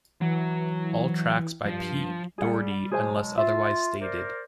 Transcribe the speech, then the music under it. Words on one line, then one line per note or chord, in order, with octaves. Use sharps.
All tracks by Pete Doherty unless otherwise stated.
E3 F#3 F#4
G2 F3
G3 G#4 F#5
B2 F#3 G#3 G#4 C5 G#5
F4 E5
A#4 C5 D5